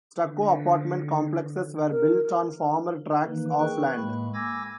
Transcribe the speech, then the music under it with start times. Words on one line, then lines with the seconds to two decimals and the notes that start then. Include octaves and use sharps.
Stucco apartment complexes were built on former tracts of land.
0.24 D3
1.91 A#4
3.25 D#3 E3 A#3 D#4 B4
3.59 G#4 A#4 B4 G5 C#6 F#6
3.97 A2 G#3 A#3 B5
4.34 G#5 D6 E6 G#6 A#6